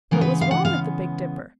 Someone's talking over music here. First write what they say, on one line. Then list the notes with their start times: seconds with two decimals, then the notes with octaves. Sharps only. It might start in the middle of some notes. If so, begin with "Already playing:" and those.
What was wrong at the Big Dipper?
0.11 C#3 E3 G#3 B3 A#4
0.21 B4
0.41 F5
0.51 F#5
0.65 F5